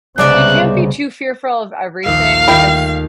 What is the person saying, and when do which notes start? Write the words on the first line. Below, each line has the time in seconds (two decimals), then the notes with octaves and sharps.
you can't be too fearful of everything 'cause,
0.18 C2 C#3 G#3 B3 C5 D5 E5 F#6
2.06 A#1 D#2 F5 E6
2.48 D#2 A3 E4 G5